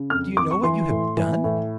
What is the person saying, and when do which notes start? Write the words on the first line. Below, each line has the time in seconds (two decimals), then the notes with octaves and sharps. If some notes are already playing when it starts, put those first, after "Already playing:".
Do you know what you have done?
Already playing: C#3
0.10 F2 F6
0.37 F2 D6
0.51 C#6
0.63 E3 C6
0.90 A2
1.17 E3
1.44 A2